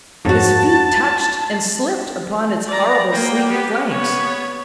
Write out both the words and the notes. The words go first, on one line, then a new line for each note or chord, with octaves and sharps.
His feet touched and slipped upon its horrible sleek flanks.
F2 G#2 F#4 C#5 A5
D5 A#5
A#3 G5
B3 G4
B3 C#5